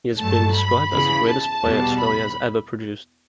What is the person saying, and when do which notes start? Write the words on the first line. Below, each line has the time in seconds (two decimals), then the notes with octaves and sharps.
He has been described as the greatest player Australia has ever produced.
0.19 G2 F#3 A3 A5
0.55 B5
0.91 E2 C#3 E3 B5
1.27 A5
1.63 E2 B2 G3 B3
1.99 B5